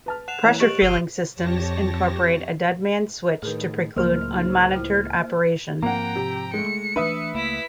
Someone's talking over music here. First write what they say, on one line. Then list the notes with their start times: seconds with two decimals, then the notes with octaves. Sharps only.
Pressure fueling systems incorporate a dead man's switch to preclude unmonitored operation.
0.06 B4 A5 F6
0.28 F#5 F#6 E7 F7
0.44 E3 A#3 E4 C#5
0.60 G4 B4 D#5 C#6 A6 D7 F#7
0.82 G1 E6 C7 D#7 G7
1.33 F2 G4 C#5 A5 A#6
3.43 A2 D#3 G#4 A#4 B4
3.96 C#2 A2 F#3 A#3 C5 F6
4.35 D#4 G#4
4.73 E4 G5
5.82 G#2 F3 A#3 C4 F#5 G5 A#5
6.16 C3
6.54 G#3 A3 C#7
6.96 E3 A3 D4 B4 E5 D#6
7.35 C#2 A3 A#3 E4 B6